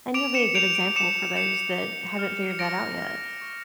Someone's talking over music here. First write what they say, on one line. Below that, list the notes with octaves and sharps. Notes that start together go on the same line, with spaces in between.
And you'll be a good example for those that haven't figured that out yet.
D6 D7 F7
C#7 E7
G6 D7 F7
D7 F7
D6 C#7 E7
G6 C#7 E7
D6
F6
C#7
D6 A#6 D7
F6
C#6